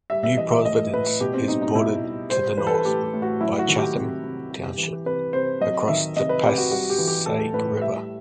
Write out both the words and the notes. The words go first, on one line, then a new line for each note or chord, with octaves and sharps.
New Providence is bordered to the north by Chatham Township, across the Passaic River.
G3 E5
E5
E3 D#5
E5
A2 D#5
A2 B4
B2 G4
C4
G3 D#4
D#4
B2 E4
G3
G3 C5
E3 B4
A4
B4
A2 G4
G4
A2
F#4
F#3 E4
F#4
D#3
G4
C3
C3
G3
E3
C3 B4
C3 C5
F#3 D#5
D#3 E5
C3 D#5
B4
C3 G4
F#4
G3 F#4
G4
E3
G4
A2 A4
A2 B4
G3 E5